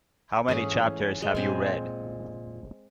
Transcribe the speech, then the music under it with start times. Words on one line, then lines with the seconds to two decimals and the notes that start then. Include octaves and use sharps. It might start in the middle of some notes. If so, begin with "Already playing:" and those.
How many chapters have you read?
0.48 G#2 E3 A3 C#4 G#4
1.22 G#3
1.35 A#2 C4 G#5